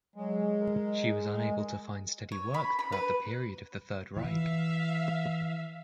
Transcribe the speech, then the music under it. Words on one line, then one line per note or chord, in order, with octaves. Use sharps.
She was unable to find steady work throughout the period of the Third Reich.
F#3 G#3
A#4
C#5
B5
B5
B4
E3 E5 F5